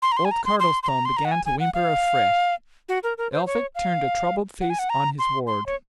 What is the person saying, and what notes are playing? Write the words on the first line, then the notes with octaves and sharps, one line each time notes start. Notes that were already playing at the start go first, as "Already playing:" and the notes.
Old Cardlestone began to whimper afresh; Elphick turned a troubled face on his ward.
C6
A#5
C6
G#5
A#5
C6
C6
C6
A#5
C6
A#5
F#5
G#5
G#5
F#5
F5
F#4
A#4
A#4
C5
C#5
F5
F#5
G#5
F#5
A#5
C6
C6
C#5